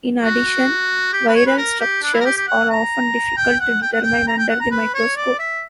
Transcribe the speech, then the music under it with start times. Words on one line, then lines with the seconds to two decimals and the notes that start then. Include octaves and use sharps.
In addition, viral structures are often difficult to determine under the microscope.
0.24 F#4
1.13 G4
1.28 B4
1.35 C#5
1.47 B4
1.58 A#4
1.80 G4
2.02 D4
2.13 E4
2.21 A#4
2.25 G4
2.37 G4
2.48 F#5
2.70 A#5
3.37 G5
3.60 F#5
3.82 G5
3.93 F#5
4.03 G5
4.28 A#5
4.38 G5
4.49 F#5
4.60 A#5
4.71 B4
4.95 C#5
5.17 D5
5.39 E5